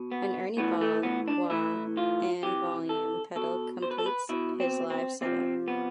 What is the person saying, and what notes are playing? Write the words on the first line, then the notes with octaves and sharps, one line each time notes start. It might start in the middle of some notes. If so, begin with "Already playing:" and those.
An Ernie Ball wah and volume pedal completes his live setup.
Already playing: B2
B3
A2 E3 B3
A3
B3
D4
A2 E3 E4
F4
C3 E3 G4
A4
B2 A4
C5
B4
A4
B4
B2 E4
C4
C4
C3 F3 C4
B3